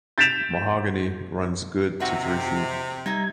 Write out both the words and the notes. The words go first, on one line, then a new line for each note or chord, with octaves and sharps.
Mahogany runs good to three feet.
G6 A6 B6 D7 E7 F7
C3 D#4 F#4 E5
G3 D#4 E5 A#5 G#6